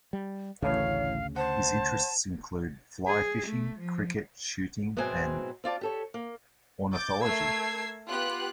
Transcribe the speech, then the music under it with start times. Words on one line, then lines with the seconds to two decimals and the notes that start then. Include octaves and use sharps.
His interests include fly fishing, cricket, shooting and ornithology.
0.13 G3
0.62 A1 D2 A2 C#3 C#5 F5
1.36 C5 F#5 A5
3.07 G#4
3.47 A3
3.79 F3
4.97 G#2 B2 E3 F#3 C4 G#5
5.64 C4 F4 D5 A5
5.81 G4 A4 C#5
6.14 A#3
6.92 D6 G6 A6
7.24 A3 A#4 E6 G#6 C7
8.08 B3 F4 G4 F#6